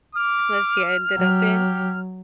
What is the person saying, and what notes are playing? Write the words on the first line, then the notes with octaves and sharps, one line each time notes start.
that she ended up in
D6 F6
F#3 G4